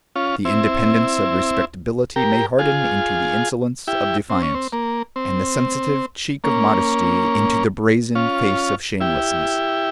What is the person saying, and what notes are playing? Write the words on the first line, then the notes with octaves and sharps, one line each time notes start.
The independence of respectability may harden into the insolence of defiance, and the sensitive cheek of modesty into the brazen face of shamelessness.
C#4 F4
C4 E4
G4 A#4
F4 G#4
E4 G4
C4
C#4
C4
A#3
C4
A#3 C#4
C#4 F4
E4 G4